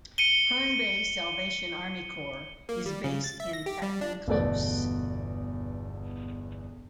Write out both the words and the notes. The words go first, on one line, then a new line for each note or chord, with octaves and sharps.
Herne Bay Salvation Army Corps is based in Pettman Close.
C#7 D#7 G7
A#3
G3
C#3
A6
E5
A#6
G4
G3
D4
G1 E2 B2 A3 B4 D5